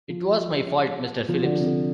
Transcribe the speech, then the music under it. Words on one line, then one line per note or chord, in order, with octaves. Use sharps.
It was my fault Mr. Phillips.
F3
F3
D3
C3
D3